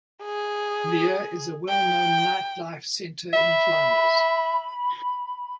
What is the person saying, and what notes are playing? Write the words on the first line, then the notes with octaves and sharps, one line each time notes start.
Lier is a well-known nightlife center in Flanders.
G#4
G5
E5 B5